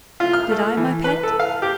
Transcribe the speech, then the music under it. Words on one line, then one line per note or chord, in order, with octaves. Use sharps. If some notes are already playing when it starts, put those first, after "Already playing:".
"Did I, my pet?"
F4
F6
A3
E3
B4
A4
F5
G4